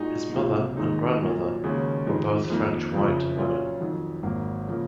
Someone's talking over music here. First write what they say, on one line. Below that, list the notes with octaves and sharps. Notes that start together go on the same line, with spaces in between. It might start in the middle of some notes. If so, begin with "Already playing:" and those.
His mother and grandmother were both French "white" women.
Already playing: A#2 G#3 D#4 F#4
C#2 C3 F#3 A#3 F4
D#2 D#3 G#3 D#4
A#2 F#3 A#3
D#2 C#3 G#3 C#4 F#4
F2 D#3 G#3
F2 D#3 A#3
F#1 F2 C#3 F3
A#2 F#3 C#4 F4
F2 D#3 F#3
G#1 G#2 F#3 A#3
C#3 F3 A#3